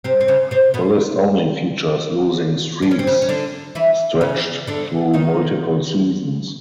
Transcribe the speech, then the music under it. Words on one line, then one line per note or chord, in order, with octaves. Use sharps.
The list only features losing streaks stretched through multiple seasons.
C3 C4
C4
C#3 C#4
C3 C4
B2 B3
D4
C#4
C4
C#3 C#4
C#4
D3 D4
E3 E4
C#3 C#4
D3 D4
D#3 D#4